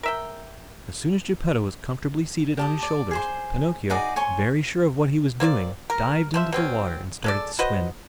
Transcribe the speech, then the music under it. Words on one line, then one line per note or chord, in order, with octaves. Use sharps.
As soon as Geppetto was comfortably seated on his shoulders, Pinocchio, very sure of what he was doing, dived into the water and started to swim.
A#4 E5 G5
G4 A5 D#6
D5
G#4 C5 C6
D#4 F#4 G#4 D5
C#5 G#5 C6 C#6
A#3 C4 C#5 D5
A#4
F3 C5 E5
B2 C4 C#4
G#3 A4 D5
F#4 B4 C5 D#5